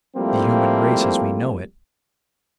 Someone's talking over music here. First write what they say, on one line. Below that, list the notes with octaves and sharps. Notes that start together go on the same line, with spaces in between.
The human race as we know it.
F3 G3 A3 A#3 C4 E4